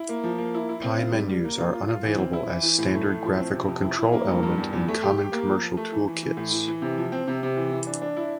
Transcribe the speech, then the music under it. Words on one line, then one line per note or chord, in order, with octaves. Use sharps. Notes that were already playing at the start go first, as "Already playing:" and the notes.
Pie menus are unavailable as standard graphical control element in common commercial toolkits.
Already playing: E4
A#3
F3
A#3
E4
E4
C4
F4
G3
G3
A#3
F4
F4
F4
E3
C4
E4
E3
E3
A2
A3
A2
F3
C4
C3
F2
E4
E4
A#3
G2
G2
E2
E2
A3
G4
G4
A#3
F3
F3
A3
E3
E3
E3
A2
E3
E3
C3
F3
C4
C3
C3
E3
E3
D4
D4
E4